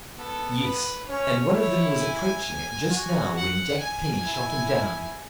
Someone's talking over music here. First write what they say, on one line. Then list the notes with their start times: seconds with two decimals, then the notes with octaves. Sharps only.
"Yes; and one of them was approaching it just now when Jack Penny shot him down."
0.18 B3 A4
0.63 B4
1.08 C#4 C#5
1.53 E4 C#5
1.99 G#5
2.90 F#4
3.35 F#5
3.80 G#5
4.26 E4